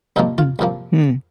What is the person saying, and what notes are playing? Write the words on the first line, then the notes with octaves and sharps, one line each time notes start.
Mm. Hmm.
C2 A#2 F3 A#3 D#4
F4
C2 A#2 F3 A#3